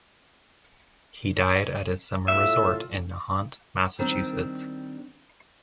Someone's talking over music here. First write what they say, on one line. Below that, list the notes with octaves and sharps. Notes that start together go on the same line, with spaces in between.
He died at his summer resort in Nahant, Massachusetts.
A2 F4 E5
D#3 G3 C4 D4